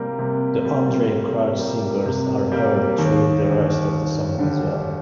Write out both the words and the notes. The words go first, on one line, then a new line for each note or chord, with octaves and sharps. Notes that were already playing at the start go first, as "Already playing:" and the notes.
The Andrae Crouch Singers are heard throughout the rest of the song as well.
Already playing: C3 G3 A#3
C3
G3 A#3
C3
G3 A#3
C3
G3 A#3
D#2
D3 G3
D#2
D3 G3